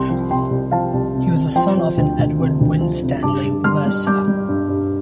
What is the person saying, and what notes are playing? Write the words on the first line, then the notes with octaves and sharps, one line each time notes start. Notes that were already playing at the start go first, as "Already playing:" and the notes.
He was the son of an Edward Winstanley, mercer.
Already playing: C2 G5 C6
F3
C3 G5 C6
C2
F3 F5 A5
C2
C3
C3
F3 G5 C6
F3
D2
D2
C3
D2
F3
C3
G2 A5 D6
G2
G3 C6 F6
G3
G3 D6 G6
G3
G2
G2